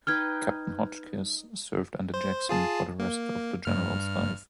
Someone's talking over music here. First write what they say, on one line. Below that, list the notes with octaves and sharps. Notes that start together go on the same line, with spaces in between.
Captain Hotchkiss served under Jackson for the rest of the general's life.
D#4 B4 G5 F6 G#6
C5
F4 G#4 A5
A#3
G2 F6